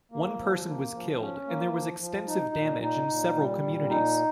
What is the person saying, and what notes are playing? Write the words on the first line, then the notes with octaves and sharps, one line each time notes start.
One person was killed and there was extensive damage in several communities.
A#3
F3
A#3
F3
C#4
A#3
F3
F3
D#4
A#2
D#4
A#2
G3
A#2
D#4